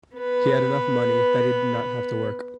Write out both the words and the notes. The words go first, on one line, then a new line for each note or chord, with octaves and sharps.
He had enough money that he did not have to work.
B3 B4